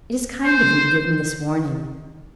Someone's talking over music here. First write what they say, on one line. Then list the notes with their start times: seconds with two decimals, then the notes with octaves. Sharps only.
It is kind of you to give me this warning.
0.44 C5